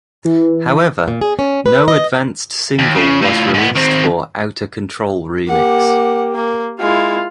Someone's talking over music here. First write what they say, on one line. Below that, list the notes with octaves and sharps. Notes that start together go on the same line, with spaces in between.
However, no advanced single was released for "Outta Control Remix".
E3
A#2
G#4
C#4
B4
D#5
D#2
C#3
A2 F4
G#2 B3
D#3 C4
A#3 G4 F#5
A#3
G#3 E4 F4 F5